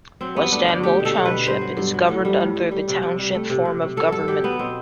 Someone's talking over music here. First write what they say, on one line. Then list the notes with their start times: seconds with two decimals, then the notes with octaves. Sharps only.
West Amwell Township is governed under the Township form of government.
0.21 F#3 C4
0.36 G2 B3
0.52 A3 D4
0.68 D3 D4
0.83 A3 G4
1.00 B2
1.05 A4
1.15 B2
1.25 B4
1.30 A3
1.46 G2 C5
1.61 F#3
1.77 G2
1.94 F#3
2.09 A2
2.25 G3
2.40 A2
2.56 A2
2.71 G3
2.88 C3
3.03 C3
3.19 G3
3.34 A3
3.50 C3
3.65 C3
3.82 C3
3.96 F#3 A4
4.12 G2 A4
4.28 F#3 G4
4.43 F#3 B3
4.59 B2 C4